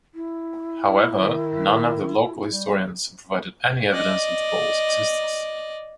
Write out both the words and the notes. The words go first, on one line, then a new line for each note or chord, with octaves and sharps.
However, none of the local historians have provided any evidence of the Bull's existence.
E4
D#3
G3
D5 D#5